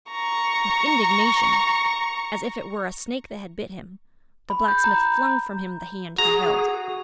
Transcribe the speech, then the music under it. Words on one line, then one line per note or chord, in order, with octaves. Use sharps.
With indignation, as if it were a snake that had bit him, the blacksmith flung from him the hand he held.
A#5 C#6
B5
G6
A#5
F#4 G#4 A#5